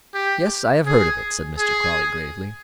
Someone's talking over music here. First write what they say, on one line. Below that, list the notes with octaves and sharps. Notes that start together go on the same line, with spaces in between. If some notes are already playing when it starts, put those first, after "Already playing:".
"Yes; I have heard of it," said Mr. Crawley, gravely.
G4
G#4
G#4